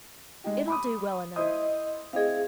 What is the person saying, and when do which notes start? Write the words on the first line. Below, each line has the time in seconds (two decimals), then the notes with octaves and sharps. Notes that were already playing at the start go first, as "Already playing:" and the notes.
'It'll do well enough.
0.44 G#3 D#4 G4
0.68 B5 D6 D#6
1.36 E4 C5 D#5 D#6
2.13 C4 E4 G#4 D#5 F5